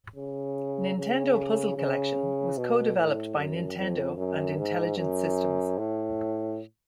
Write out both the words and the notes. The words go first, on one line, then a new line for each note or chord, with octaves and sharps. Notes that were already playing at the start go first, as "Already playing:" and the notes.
"Nintendo Puzzle Collection" was co-developed by Nintendo and Intelligent Systems.
C#3
C#3
C#3
B2
A2
F#2
F2
F#2
G#2
F#2
A2